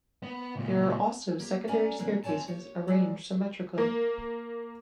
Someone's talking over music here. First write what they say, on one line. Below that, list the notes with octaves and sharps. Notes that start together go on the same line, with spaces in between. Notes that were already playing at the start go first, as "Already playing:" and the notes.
There are also secondary staircases arranged symmetrically.
B3
C#2 A#2
A#3 G4
B3 C#4 F#4 D5 G#5 A#5
C3 E3 A#3 D4
D#2 E3 C4 C#5 G#5 A5
G4 C#5
E2 F#3 G#3 D5
A#3